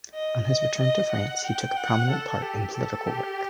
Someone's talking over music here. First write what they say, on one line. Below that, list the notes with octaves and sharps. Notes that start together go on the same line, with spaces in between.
On his return to France he took a prominent part in political work.
D#5
D#5
D#5
F#5
G5
F#5
A4
G4
A4
G4